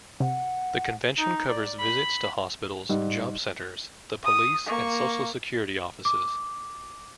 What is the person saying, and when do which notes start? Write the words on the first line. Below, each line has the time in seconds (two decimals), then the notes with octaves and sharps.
The Convention covers visits to hospitals, job centres, the police and social security offices.
0.20 C3 F#5
1.18 D#4
1.48 D5
1.80 B5
2.89 G#2 G3
4.24 D#6
4.67 A#3 C#6
6.05 D6